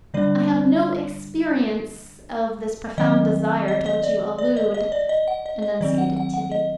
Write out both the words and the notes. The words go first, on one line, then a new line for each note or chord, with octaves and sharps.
"I have no experience of this profound desire to which you allude," enunciated Tibby.
D3 G3 A#3 D4 D5
D#3 F#3 C4 D#5
D#5
D#5
D5
D5
D#5
D#5
D5
D#5
F#5
D#5
D#5
D#3 F#3 C4 D5
F#5
F#5
F#5
D#5